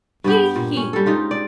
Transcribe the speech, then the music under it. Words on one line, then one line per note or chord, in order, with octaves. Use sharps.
He! he!
G2 B3 G4
A#2
C#4
G3 A4
G#2 D#4 F4 G4
D5